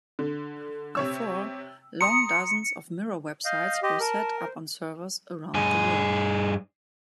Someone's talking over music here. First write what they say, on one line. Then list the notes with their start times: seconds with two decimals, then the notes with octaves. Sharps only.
Before long dozens of mirror websites were set up on servers around the world.
0.19 D3
0.95 C3 C#5 E6
2.01 A#5 C6 D#6 C#7
3.45 D#5 F5 G6
3.83 G4 D#5 C6
4.00 A#4 A5
4.39 C5
5.54 G2 G#4